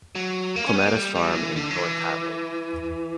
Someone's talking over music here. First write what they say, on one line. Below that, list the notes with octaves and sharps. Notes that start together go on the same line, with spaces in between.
Clematis Farm in North Hatley.
F#3
A#3
C#4
B3
A#3
G3
G3
F#3
E3
D3
F#3
E3